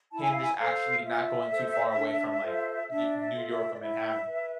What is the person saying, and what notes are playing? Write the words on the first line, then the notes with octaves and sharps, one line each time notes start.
him just actually not going too far away from, like, Ne New York or Manhattan.
E4 A5
G#5
F5
G#5
A4 C5 F5
F4 E5
A4 C5
D4
F4 A4 C5
D4 E5
E5
F4 A4
E5
D5
E4 E5
B4